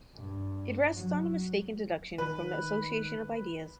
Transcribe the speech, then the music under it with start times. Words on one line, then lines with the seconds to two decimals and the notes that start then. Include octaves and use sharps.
It rests on a mistaken deduction from the association of ideas.
0.15 G2
0.95 F#3
2.18 D#3 B4